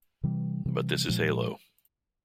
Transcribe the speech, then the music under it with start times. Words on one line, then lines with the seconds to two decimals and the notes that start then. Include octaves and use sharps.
But this is Halo.
0.23 C3 E3 G3
0.66 C3 E3 G3
1.08 A#2 F3 G#3